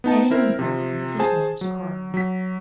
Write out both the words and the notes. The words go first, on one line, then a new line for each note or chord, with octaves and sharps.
At any rate, Mrs. Morris cried.
B3 D#4 A5
C4 E4 A#4 C5
C3 F3
G#4 C5 G#5 A5
F#3
F#3 B6